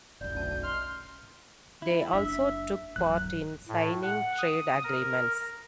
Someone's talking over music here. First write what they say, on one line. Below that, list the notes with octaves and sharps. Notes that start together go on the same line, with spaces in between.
They also took part in signing trade agreements.
F1 B1 D5 G6
D2 C#4 D5 A5
D#5 C6 F6
E4
F#1 D4 E5
D1 G1 F#3 F#6
A2
F#5
D#6
A#4